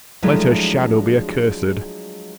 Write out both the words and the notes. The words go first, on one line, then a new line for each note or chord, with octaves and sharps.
Let her shadow be accursed.
F3 F#3 G#3 A3 D4 E4